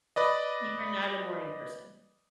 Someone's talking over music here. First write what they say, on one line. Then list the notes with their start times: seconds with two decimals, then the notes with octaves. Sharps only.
You are not a morning person?
0.16 B4 D5 D#5